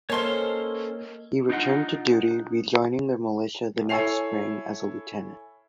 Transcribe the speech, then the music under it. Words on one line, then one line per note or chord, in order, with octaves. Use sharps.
He returned to duty, rejoining the militia the next spring as a lieutenant.
A#3 C#4 A4 A#4 C5 C#5 D#5 C6
D4 D#4 F4 D#5 F#5
E4 A4 C#5 G#5 C7 F7